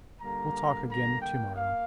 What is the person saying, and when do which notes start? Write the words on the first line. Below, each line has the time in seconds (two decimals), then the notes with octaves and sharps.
"We'll talk again to-morrow."
0.21 D3 G3 A#3 A#5
0.89 A#5
1.22 G5
1.56 A#3 F5